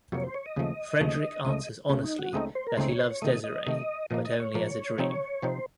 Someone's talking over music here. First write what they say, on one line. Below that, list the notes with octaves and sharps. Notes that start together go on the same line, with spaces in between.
Fredrik answers honestly that he loves Desiree, but only as a dream.
F2 C3 F#3 A#3 C#5
C5
C#5
D#5
D#2 C#3 F3 A3
D#2 C#3 F3 A3
C#2 C#3 A3 D#5
C#2 C#3 A3 C#4
D#4
F#4
C#2 C#3 A3 C4 D#4 D#5
C5
A#4
C#2 C#3 A3 C4 D#4 C5
C#5
C5
C#5
C3 D#3 A3 D#5
D#5
C3 D#3 A3
A#2 F3 A#3 D#5
D#5
C#5
A#2 F3 A#3
C3 F3 C4 D#4
C3 F3 C4 D#4 C5